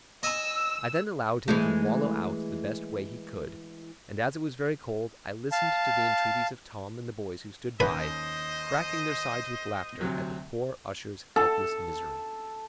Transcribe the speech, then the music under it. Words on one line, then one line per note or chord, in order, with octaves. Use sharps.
I then allowed him to wallow out the best way he could; and as it was very cold, I listened to the entreaties of Tom and the boys who stood by, cracking their sides with laughter at the poor usher's helpless misery.
D#5 G#5 E6
E3 G#3 A3
F5 A5
D#2 C#4 B4 C5 D#5
D2 C3 F#3
A4